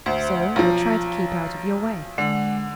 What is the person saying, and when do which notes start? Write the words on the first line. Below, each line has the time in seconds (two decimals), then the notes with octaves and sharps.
So I tried to keep out of your way.
0.06 D2 C5 E5
0.56 B1 F3 A#5
2.18 D3 G#3 F#5